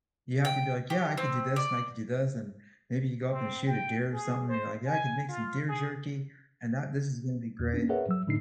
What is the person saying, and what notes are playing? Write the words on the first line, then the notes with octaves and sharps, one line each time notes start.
you have to be, like, "Yeah, I could do this, and I could do this," and maybe you go up and shoot a deer or something, and you're, like, "Yeah, I could make some deer jerky, and that this is gonna be great."
G5
G4
C4
D5
C4
G5
G#4
C5
G#5
F4
G#4
E2
A#3 B3 C#4 D4
G#4 A#4 B4 C#5 E5 F#5
F#3 E6
A2 D3 A3 D4 D#4 C7